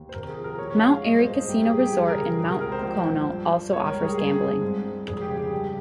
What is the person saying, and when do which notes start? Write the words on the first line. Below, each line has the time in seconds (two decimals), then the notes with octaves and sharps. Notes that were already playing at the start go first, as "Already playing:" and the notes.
Mount Airy Casino Resort in Mount Pocono also offers gambling.
Already playing: D#2
0.09 C5
0.14 C3 A#4
0.29 G#4
0.37 F3
0.44 A#4
0.58 A#2 C#5
0.70 C#5
0.81 G#3 F5
0.93 F5
1.03 G2 D#5
1.18 C5
1.26 G2
1.33 G#4
1.48 A#3 G4
1.64 G#4
1.71 G3
1.79 G4
1.93 D#2 G#4
2.08 A#4
2.15 C#3
2.23 G#4
2.38 C3 G#4
2.50 A#4
2.60 C#2 A#4
2.72 C5
2.83 A#1
3.05 A#2
3.27 G2
3.50 G2
3.72 C#2 C#5
3.87 A#4
3.95 G3
4.03 G#4
4.18 G2 G#4
4.40 C4
4.62 G#2
4.85 G#2
5.07 F1 G#4
5.22 G4
5.30 C#3 G#4
5.37 G4
5.52 G2